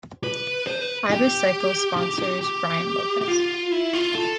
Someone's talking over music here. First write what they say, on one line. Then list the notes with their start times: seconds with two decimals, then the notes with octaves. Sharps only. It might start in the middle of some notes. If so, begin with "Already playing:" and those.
Ibis Cycles sponsors Brian Lopes.
0.24 B4
0.67 C5
0.81 B4
1.11 G4
1.97 G4
2.19 G4
2.41 G4
3.21 G4
3.28 F4
3.72 E4
3.93 F4
4.15 A4